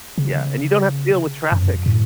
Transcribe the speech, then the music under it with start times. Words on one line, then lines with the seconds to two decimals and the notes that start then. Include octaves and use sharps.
Yeah, and you don't have to deal with traffic,
0.18 C#3
1.52 F#2
1.86 A2